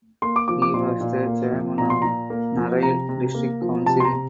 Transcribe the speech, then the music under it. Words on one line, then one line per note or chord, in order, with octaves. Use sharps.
He was the chairman of Narail district council.
A#3 C6
D6
F3 D6
D6
A#2 C6
A#2
A#3
F3
A#2 A#5
C6
A#2 A#5
A#3
F3
C3 A#5
C3
A#3
F3
C3 A5
C6
A#5
C3